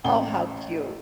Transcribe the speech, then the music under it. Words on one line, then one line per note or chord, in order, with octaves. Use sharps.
Oh, how cute.
A1 A2 G5 G7